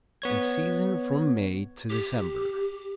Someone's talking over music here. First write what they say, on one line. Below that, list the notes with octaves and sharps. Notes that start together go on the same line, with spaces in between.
In season from May to December.
B3 C#5 G#6
G4